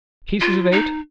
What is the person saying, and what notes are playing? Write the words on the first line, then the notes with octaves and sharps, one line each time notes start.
Pieces of eight!
F4
D#4